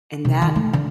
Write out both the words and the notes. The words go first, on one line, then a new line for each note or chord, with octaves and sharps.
And that
C3
D#3
A3
D3